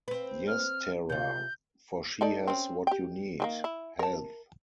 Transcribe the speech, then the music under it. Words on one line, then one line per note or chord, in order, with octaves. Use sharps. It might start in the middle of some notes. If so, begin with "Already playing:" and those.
Yes, Tara; for she has what you need, — health.
C4 B4
F6
C3 F4 G6
D#4 A4 D5
C4 C#4
G4 G5
D#3 G3 A#3
E4
A#4 A5